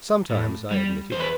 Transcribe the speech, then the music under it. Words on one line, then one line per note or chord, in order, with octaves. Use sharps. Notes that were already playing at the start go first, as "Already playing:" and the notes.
"Sometimes," I admitted.
A2
G3
E2 C5
B4